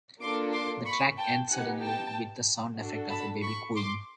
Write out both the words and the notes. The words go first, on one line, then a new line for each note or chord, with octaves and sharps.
The track ends suddenly with the sound effect of a baby cooing.
A#3 D4 F4 A4 C6 D6
C6 D6
B5 C#6
G5 A5
B3 D#4 G4 F#5 G#5
G5 A5
D4 F#4 A4
A5 B5
B5 C#6
C6 D6